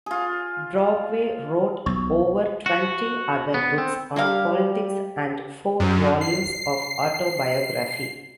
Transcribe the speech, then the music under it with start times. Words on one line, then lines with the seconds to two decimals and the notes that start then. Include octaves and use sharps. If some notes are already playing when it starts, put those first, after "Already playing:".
Brockway wrote over twenty other books on politics and four volumes of autobiography.
0.06 F4 G#4
1.86 B1 C#6
2.66 F#4
3.54 B3
3.78 C4
4.16 G3 A#3 G4 A#4 F5
5.80 F#2
6.21 C7